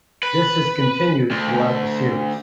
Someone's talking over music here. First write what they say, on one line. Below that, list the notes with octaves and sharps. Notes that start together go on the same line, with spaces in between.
This is continued throughout the series.
B4
D2